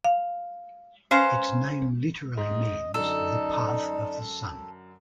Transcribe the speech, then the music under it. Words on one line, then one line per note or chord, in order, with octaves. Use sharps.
Its name literally means "The Path of the Sun".
F5
C#4 B4 C5 F5 A#5
G#2 D#5
F#2 D3 D#4 A4 D5